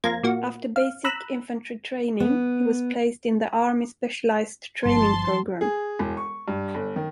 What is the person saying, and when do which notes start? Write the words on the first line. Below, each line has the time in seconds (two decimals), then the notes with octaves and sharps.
After basic infantry training, he was placed in the Army Specialized Training Program.
0.04 F2 A#3 F4 A#5 G#6
0.23 A#2 A#3 F#4
0.76 F5
1.04 A#5 B5 E6 F#6
2.20 B3
4.85 G1 F3 A5 C6
5.61 G#4
5.99 E1
6.17 C#6
6.48 G2
6.74 G1
6.96 D#3